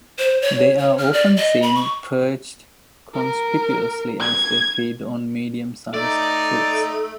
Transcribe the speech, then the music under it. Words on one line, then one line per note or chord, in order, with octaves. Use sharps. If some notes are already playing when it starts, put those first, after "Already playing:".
They are often seen perched conspicuously as they feed on medium-sized fruits.
C5
C#5
C#5
F6
D5
D#5
B5
C#6
A#4
G#6
A3 D#4 D5